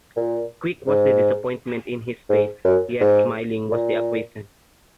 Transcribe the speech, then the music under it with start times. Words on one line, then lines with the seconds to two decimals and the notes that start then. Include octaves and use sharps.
Quick was the disappointment in his face, yet smiling was the acquiescence.
0.16 A#2
0.88 G#2
2.29 G#2
2.65 F#2
3.00 G#2
3.72 A#2